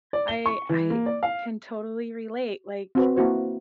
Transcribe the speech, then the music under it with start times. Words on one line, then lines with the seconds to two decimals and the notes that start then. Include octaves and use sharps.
I I can totally relate like
0.13 D5
0.28 G7
0.46 C#6
0.69 E3
0.90 A#3
1.06 D5
1.23 F5
2.95 C4 F#4 B4
3.16 A#3 E4 F#4 C5